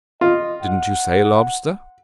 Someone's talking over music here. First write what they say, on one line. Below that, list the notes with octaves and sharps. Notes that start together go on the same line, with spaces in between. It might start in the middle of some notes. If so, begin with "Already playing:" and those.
"Didn't you say lobster?"
F4 D#5
F#5